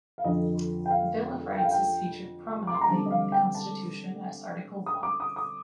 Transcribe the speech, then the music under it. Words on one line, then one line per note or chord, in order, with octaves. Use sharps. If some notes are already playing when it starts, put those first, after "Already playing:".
A bill of rights is featured prominently in the constitution as Article One.
F5
F2 D3 F3 D#5
G5
F5
G5
F5
G5
D6
C6
A#5
D3 G3 C4 A5
D#5
F5
G5
A5
D#6
D6
D#6
D#6